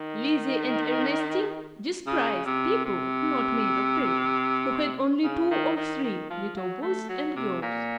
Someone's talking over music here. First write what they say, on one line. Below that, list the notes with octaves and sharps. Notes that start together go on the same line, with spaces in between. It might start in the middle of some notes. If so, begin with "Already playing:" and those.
Lizzie and Ernestine despised people not made of paper, who had only two or three little boys and girls.
Already playing: D#3
C#3
C3
C3
C#3
D#3
D#3
D#3
F3
F#3
A3
F#3
C3
A#2